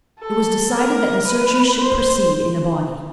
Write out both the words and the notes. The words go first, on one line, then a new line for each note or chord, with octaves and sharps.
It was decided that the searchers should proceed in a body.
A4
A#4
B4
C5